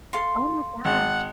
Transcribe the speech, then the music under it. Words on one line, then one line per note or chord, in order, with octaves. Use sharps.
Oh my gosh.
A4 F5 C6
G#1 F#5